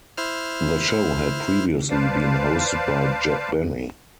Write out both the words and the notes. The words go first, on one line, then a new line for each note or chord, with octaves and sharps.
The show had previously been hosted by Jack Benny.
E4 C5 F6
B4 C5 D5 F5 A5